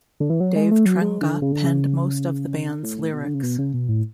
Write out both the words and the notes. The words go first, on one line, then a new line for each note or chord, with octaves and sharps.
Dave Trenga penned most of the band's lyrics.
D3
E3
F#3
G#3
A3
F#3
G#3
D3
C#3
D3
C#3
A2
B2
D3
C#3
B2
C#3
B2
A2